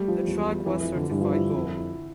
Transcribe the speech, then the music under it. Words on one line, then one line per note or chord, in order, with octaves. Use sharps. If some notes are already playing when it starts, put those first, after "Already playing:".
The track was certified gold.
Already playing: G3 A3
F3
E2
F2 E3
E3
D3
G2 E3
F3
F4
E4
F2 E4
E4